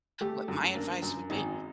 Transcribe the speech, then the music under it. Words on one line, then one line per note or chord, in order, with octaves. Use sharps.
What my advice would be,
A3 G4
F#2
A#3 D4
F#2
G#1 D#4